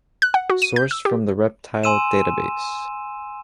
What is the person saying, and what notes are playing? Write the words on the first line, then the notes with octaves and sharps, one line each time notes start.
Sourced from "The Reptile Database".
F#6
F#5
F#4
D#7
G6
E6
G4
G#5 C6 E6 D#7 E7